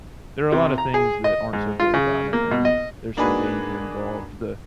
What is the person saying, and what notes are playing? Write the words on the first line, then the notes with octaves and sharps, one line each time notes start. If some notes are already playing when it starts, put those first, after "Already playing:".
there are a lot of things that aren't so great about it and there's some danger involved, the
C3
A#5
G#4
D#5
G#2
F4
C#3
A#3
B2
D#5
A#3 D4 D#4 F#4 G#4 B4